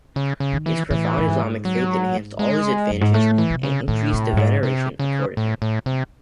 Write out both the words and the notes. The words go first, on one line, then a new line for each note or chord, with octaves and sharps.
His profound Islamic faith enhanced all these advantages and increased the veneration accorded him.
C#3
C#3
D#3
E3
A2 E3
A2
G#2
F#3
G#3
F#2
G#2
A2 A3
E3
C3
C#3
A2 D#3
C3
F#2
G#2
C3
C#3
A2
A2
C3